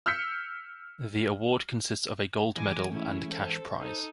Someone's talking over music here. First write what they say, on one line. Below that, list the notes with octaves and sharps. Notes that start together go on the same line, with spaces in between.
The award consists of a gold medal and cash prize.
E6 F6 G6 B6 C#7
G#2 E3 G#3 G#5 D6 A#6
A3 C#4 E4
A4 C5
D#4 A4 C5